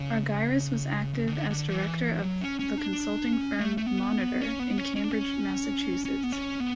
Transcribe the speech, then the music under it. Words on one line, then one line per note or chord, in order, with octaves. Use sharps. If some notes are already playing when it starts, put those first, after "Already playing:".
Argyris was active as director of the consulting firm Monitor in Cambridge, Massachusetts.
Already playing: C#3
C#3
C#3
D3
D3
E3
F#3
C#4
C#4
D4
C#4
A3
A3
B3
C#4
B3
C#4
C#4
D4
C#4
C#4
B3
C#4
B3